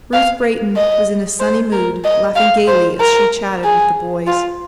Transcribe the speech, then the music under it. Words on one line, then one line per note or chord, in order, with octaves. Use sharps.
Ruth Brayton was in a sunny mood, laughing gayly as she chatted with the boys.
F5
D#5
C5
A#4
D#5
F5
C5
A#4
G#4
F4